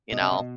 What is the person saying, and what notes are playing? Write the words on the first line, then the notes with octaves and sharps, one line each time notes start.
you know?
B2 D#5
C3
C3
B2